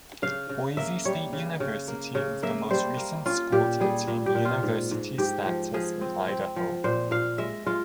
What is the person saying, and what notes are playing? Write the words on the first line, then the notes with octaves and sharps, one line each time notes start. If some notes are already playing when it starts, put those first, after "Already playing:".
Boise State University is the most recent school to attain university status in Idaho.
C#3 F5
C#3
A#3 E5
G3 C#5
C#3
C#3
A#3
C#3
A#3 E5
G3 C5
A#3
C#4 F4
A#2 G4
G3 G#4
A#2
G4
A#2
F4
G#2
G#2
G#2 G4
F3
F3 G#4
C4
C4
F3
A#2 C5
A#2 F5
G#3 E5
G#3 F4